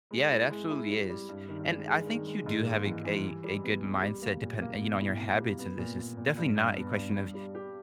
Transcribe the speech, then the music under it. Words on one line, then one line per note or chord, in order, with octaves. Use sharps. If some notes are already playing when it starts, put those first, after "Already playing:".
Yeah, it absolutely is, and I think you do have a g a a good mindset depend you know, on your habits this is definitely not a question of
G#3
E4
G#3
E4
G3
G3
G2
D#3
G#3
G#3
D#3
G#3
G#2
A#3
E3
E3
G3
G3
B3
C#2
G3
A#3
A#2
A#3
B2
E4
B2
G3
B3
A#2
A#2
A#2
G2
G2
B3
G2
G2
G3
G4